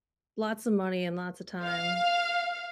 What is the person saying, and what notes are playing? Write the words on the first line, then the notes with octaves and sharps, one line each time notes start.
lots of money and lots of time.
F5